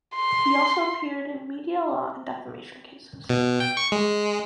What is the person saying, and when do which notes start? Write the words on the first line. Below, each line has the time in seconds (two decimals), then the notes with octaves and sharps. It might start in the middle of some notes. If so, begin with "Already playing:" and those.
He also appeared in media law and defamation cases.
0.16 C6
3.29 B2
3.60 G5
3.77 C#6
3.92 G#3